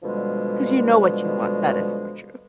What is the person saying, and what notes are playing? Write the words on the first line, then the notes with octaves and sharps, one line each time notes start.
‘Cause you know what you want. That is for true.
B2 D3 F3 G3 G#3